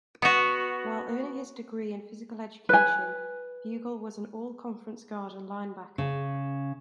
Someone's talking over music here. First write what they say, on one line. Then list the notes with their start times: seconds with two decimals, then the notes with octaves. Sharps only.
While earning his degree in physical education, Bugel was an all-conference guard and linebacker.
0.22 B3 F#4
2.69 B4 G#5
5.98 C#3